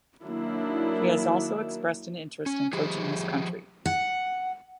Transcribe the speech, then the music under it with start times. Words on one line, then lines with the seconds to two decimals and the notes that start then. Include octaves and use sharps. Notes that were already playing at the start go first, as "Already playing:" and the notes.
He has also expressed an interest in coaching his country.
0.24 D#3 F#3 A#3 D4 E4
2.46 C#4
2.73 F3 G4 G#4
3.86 F#5